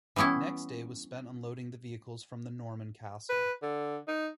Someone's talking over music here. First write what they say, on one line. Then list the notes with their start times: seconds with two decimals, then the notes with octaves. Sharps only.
Next day was spent unloading the vehicles from the "Norman Castle".
0.16 E3 G3 B3 C#4 E4
3.29 B4
3.62 D3
4.08 D#4